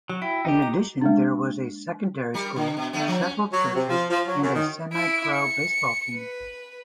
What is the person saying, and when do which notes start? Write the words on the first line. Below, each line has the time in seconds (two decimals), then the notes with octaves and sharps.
In addition, there was a secondary school, several churches, and a semi-pro baseball team.
0.10 F#3 F#4
0.22 E4 G5
0.45 D#4 G4
0.62 F#4 A#5
1.01 G#3 A#3 D4
2.34 G3 A#4
2.56 D3
2.77 B2
2.93 D3 A3 B3
3.08 F3
3.22 C#4
3.52 F#3
3.75 C3
3.90 F3
4.09 F3
4.26 F#3
4.42 F#2
4.53 D#3
4.93 E4 D7
5.32 C#7
6.14 B4